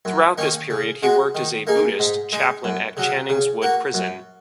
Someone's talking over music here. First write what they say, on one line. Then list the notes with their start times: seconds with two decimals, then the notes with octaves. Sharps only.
Throughout this period he worked as a Buddhist chaplain at Channings Wood Prison.
0.05 F#2
0.38 D#3 A#3 C#4
0.70 C#3
1.02 G#3 F#4
1.35 D#3
1.67 A#3 D#4 G#4
1.99 G#2
2.33 G#3 D#4
2.64 F#2
2.97 C#3 F#3
3.29 C#3
3.62 A#3 F#4
3.94 F#2